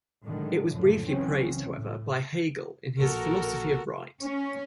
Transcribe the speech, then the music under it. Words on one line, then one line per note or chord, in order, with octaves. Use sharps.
It was briefly praised, however, by Hegel in his Philosophy of Right.
A2 D3 D#3 F#3 G#3
C#2 F#2 A2 D3 F3 A3
C#2 C#3 E3 F#3 C4 C#4
A2
B1 A#2 F3 F#4 A4 A#4
C#4